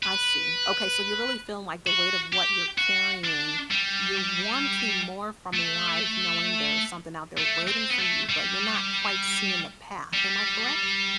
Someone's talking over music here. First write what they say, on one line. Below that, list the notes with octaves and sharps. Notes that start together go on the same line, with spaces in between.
I see. Okay, so you're really feeling, like, the weight of what you're carrying you're wanting more from life knowing there's something out there waiting for you, but you're not quite seeing the path. Am I correct?
B4
F#4
G4
F#4
D4
G3
A3
A3
C4
B3
A3
G3
G3